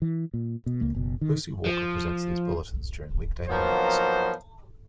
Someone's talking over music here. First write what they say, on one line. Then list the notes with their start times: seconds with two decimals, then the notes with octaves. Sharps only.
Lucy Walker presents these bulletins during weekday mornings.
0.02 E3
0.34 A#2
0.66 B2
0.81 C#2 A#3
0.95 F#1 B2
1.21 D#3
1.66 F3
3.48 F3 F#3 A#3 B3 D#4 C5